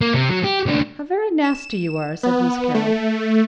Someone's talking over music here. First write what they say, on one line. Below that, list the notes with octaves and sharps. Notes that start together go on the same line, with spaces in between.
"How very nasty you are!" said Miss Carroll.
A#3
C3
F#3
G4
C#2 D4
E7
B3
A3